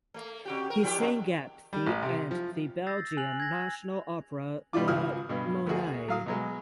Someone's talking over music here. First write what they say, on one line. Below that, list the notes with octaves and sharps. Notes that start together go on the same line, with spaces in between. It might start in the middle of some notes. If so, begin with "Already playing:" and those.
He sang at the and the Belgian National Opera La Monnaie.
A3 A#3
C3 F#4 G4
A#4
F3 E4 G4
A2 C#3
G3
A1
C3
F3
E6 G6 A6 A#6 C7
G#5 F#6 F7 F#7
G#6 A#6
B2 G3 D4 F4 D6
G#1 C#2 F3 F#4 D#6 F6
G2 B2
D2 A#3 F#4 G#4
F#3 F5 D#6
B2 F#3 G#3